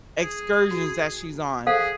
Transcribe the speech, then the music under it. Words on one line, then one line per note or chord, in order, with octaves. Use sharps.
excursions that she's on.
G#4
F#4
G#4 A4 C5 F5